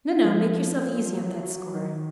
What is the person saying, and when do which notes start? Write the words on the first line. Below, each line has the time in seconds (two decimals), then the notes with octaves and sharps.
"No, no, make yourself easy on that score."
0.24 F3
1.14 F#3
1.43 F#3
1.74 D#3